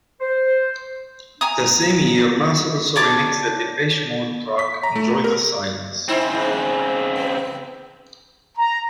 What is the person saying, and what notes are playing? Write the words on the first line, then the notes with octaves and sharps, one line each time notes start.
The same year, Maas also remixed the Depeche Mode track "Enjoy the Silence".
C5
G#5 A#5 D#6
C#5 D5 A5 D6
B6
A#5
A3
B3
A#4
C#3 C4 D#4 E4 C5
G#2
B3
A#5